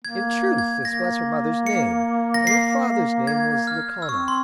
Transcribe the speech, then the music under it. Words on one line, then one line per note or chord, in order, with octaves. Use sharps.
In truth this was her mother's name, and her father's name was Liconal.
A#3 G#6
G#6
G#6
A#3 A#6
C#7
A#6
C7
G#6
F6
E6
C4 C#6
C6